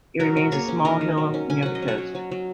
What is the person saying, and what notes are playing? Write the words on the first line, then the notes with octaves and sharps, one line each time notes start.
It remains a small hill near the coast.
F#3 F#4 A#4
F#3
A#3 G#4 C#5
C#4
D#3 A#4 D#5
D#3
F#3
C#4
C#4 G#5
F#3 F#5
D#5
C#4
C#5 F#5
F#3
F#3
F#3